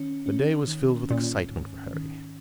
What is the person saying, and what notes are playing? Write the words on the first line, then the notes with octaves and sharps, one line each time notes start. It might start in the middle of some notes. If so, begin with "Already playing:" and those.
The day was filled with excitement for Harry.
Already playing: D#3 C#4
C#4
D#3
A#2 C#4
G#2
D#3